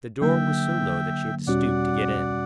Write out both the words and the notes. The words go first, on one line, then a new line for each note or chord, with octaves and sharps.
The door was so low that she had to stoop to get in.
D3 F#3 A#3 E5 G5
E2 B2 G3 C#4 F#4 D5 F#5